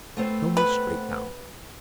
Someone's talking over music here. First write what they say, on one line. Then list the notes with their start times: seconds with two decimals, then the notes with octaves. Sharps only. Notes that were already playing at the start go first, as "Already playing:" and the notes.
Tell me straight, now!
0.17 A3 B3 C4
0.57 B4